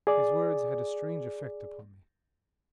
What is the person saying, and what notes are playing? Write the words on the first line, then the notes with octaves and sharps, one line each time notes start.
His words had a strange effect upon me.
G#4 D5